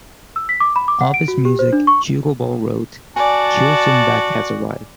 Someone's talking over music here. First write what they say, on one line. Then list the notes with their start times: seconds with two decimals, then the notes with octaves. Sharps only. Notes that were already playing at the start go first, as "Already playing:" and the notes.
Of his music, Hugo Ball wrote, Huelsenbeck has arrived.
0.36 E6
0.49 B6
0.60 D6
0.76 B5
0.88 D6
1.01 F#5
1.14 D7
1.28 F#4
1.45 G4
1.59 C5
1.73 D4
1.87 C#6
3.16 F#4 D5 G#5 A5